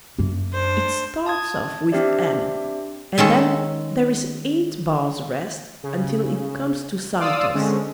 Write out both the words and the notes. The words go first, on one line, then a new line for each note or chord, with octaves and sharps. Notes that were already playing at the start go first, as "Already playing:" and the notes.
It starts off with "M" and then there is eight bars rest until it comes to Santos.
F#2 A#3
D4 C5
A5 D#6 G#6
C4 D4 G4 C5 D5 E5
D#3 G#3 C#4 A4
C#3
D5 F5 C6 D#6 E6
D3 G#3 C4 C#4